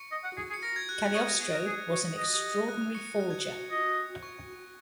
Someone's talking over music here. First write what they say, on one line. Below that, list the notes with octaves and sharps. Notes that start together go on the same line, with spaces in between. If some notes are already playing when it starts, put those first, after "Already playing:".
Cagliostro was an extraordinary forger.
Already playing: C#6 C#7
D#5
F#5
G#4
G#4
C#7
A#4 A#6
G#6
F#6
F#6
C#5 D#6 D#7
A#4
G#4
A#4
G#4
C#5
D#5 D#6 D#7
D#6 D#7
A#6
F#6
D#6
C#6 C#7
A#6
F#6
G#6
F#6
D#5
C#6